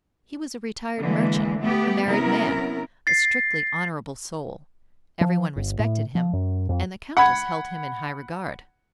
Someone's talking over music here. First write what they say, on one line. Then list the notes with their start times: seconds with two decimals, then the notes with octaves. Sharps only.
He was a retired merchant, a married man, a strictly honorable soul; everyone respected him, and the Countess held him in high regard.
1.00 D3 E3 G#3 A#3
1.60 A3 B3 G4
2.06 C3 F#3 B3 C#4 E4 A#4
3.07 A6 C7
5.21 F3
5.56 G1
5.79 A2
6.15 F3
6.33 F#2
6.69 F2
7.17 F#5 B5 G#6